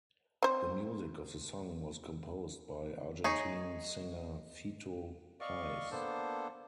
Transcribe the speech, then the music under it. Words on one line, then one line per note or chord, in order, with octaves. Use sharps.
The music of the song was composed by Argentine singer Fito Paez.
C4 C5
D#4 G#4 C#5
D5 D#5 F5 C#6
A#3 B3 D4 A4 C5